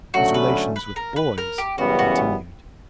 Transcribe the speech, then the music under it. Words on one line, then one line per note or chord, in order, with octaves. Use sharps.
His relations with boys continued.
D3 F#3 A3 C#4 F#4
B4
B4
A#4
B4
A#4
G4
F#2 C#3 E3 G3 B3 F#4
F#4